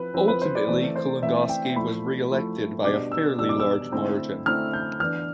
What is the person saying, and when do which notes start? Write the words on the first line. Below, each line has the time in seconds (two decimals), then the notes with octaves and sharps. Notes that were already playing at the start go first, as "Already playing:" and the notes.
Ultimately, Kulongoski was re-elected by a fairly large margin.
Already playing: F3 C4 E4 B4
0.14 F3 C4 E4
0.28 B4
0.42 C5
0.55 D5
0.68 E3 A3 C4 E4 D5
0.96 C5
1.22 E3 A3 C4 E4 E5
1.49 G5
1.76 F3 A3 E4 B5
2.30 F3 A3 E4
2.84 B2 G3 D4 D6
3.12 E6
3.38 B2 G3 D4 E6
3.49 D6
3.60 E6
3.92 D3 A3 C4 E4
4.46 D3 A3 C4 E4 F6
4.73 G6
5.00 E3 B3 D4 F6